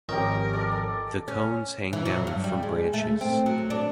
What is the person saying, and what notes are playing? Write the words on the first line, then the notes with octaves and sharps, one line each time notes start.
The cones hang down from branches.
G#1 F3 C#4 G4 A#4 D#5
A4 D5
C#4
E3
F#3
G2
G3
G#3
A3
C4
F#3
D4